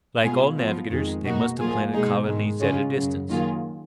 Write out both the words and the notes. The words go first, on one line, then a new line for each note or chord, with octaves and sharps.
Like all navigators, they must have planted colonies at a distance.
B2 G#3 B3 F4 G#4
F3 B3 F4
F2 D#3 G#3
B2 A#3 D#4 F#4
A#2 F3 A#3 F4 G#4
B2 G#3 D#4 G#4
G#2 D#3 G#3
C#3 G#3 C#4 F4
F#2 C#3 F#3
D#3 F#3 A#3 F4 G#4